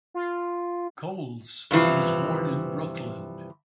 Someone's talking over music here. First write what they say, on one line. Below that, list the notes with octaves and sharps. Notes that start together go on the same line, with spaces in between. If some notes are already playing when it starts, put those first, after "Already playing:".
Coles was born in Brooklyn.
F4
G2 C3 E3 F3